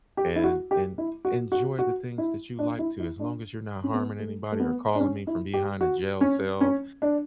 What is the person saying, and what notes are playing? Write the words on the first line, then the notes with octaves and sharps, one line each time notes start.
and and enjoy the things that you like to as long as you're not harming anybody or calling me from behind a jail cell.
G4
E4
F#4
G4
E4
F#4
F#4
F#4
E4
D4
E4
E4
D4
C#4
B3
A3
A3
B3
D4
C#4
E4
G4
F#4
C#4
C#4
D4